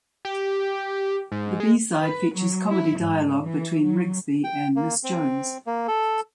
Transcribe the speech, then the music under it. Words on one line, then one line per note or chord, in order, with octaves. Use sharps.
The B-side features comedy dialogue between Rigsby and Miss Jones.
G4
G#2
G#3
B4
F#3
E4
G#2
E3
F#3
G5
A#3
C4
A#3
A4